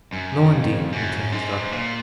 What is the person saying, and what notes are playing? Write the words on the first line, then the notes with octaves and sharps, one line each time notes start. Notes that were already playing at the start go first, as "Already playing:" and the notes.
'No, indeed,' returned his daughter.
F#2
F2
F#2
G#2
A#2